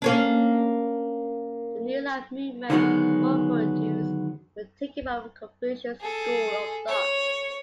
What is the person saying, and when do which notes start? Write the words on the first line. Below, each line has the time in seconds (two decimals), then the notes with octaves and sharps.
The New life Movement "four virtues" were taken from Confucian school of thought.
0.02 A#3 C#4 D4
2.70 D3 D#3 F#3 G#3 B3
6.01 G#4 A4
6.88 C#5